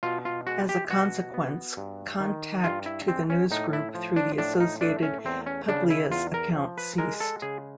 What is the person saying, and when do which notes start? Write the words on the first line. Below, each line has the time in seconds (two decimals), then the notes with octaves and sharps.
As a consequence, contact to the newsgroup through the associated Publius account ceased.
0.03 B2 F4
0.25 F4
0.47 G#3 F#4
0.69 G4
0.90 B2 F#4
1.34 B3
1.77 G2
2.20 D#3
2.64 G2 F4
2.86 E4
3.08 G#3 C4
3.30 C#4
3.51 A2 D#4
3.73 E4
3.95 F3
4.16 D4
4.38 A2 D4
4.60 D#4
4.81 A3 D4
5.03 C#4
5.25 E2 C4
5.46 C#4
5.68 C#3 D4
5.90 E4
6.11 E2 F4
6.34 A#4
6.55 F3
6.78 B4
6.98 G#3 A#4
7.20 A4
7.42 C#3 G#4